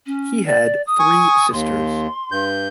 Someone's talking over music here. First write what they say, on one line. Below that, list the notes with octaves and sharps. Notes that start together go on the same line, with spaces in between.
He had three sisters.
C#4
D5
D#6
G#5 C#6
D#2 C6
G2 G6